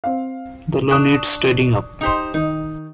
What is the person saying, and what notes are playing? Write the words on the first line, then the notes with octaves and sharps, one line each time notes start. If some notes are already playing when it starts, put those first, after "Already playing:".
The law needs tidying up.
C4 F5
D4 C#6 D#6 F#6
D#4 G4 C5
D#3 D#4